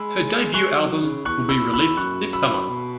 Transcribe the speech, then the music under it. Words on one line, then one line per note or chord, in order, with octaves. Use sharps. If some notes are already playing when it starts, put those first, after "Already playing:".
Her debut album will be released this summer.
Already playing: G#3 B5 E6
G#3 C#6 F#6
F#3
C#3
E2 C#6 F#6
B5 E6
B5 E6
F#2 C#6 F#6
B5 E6
B2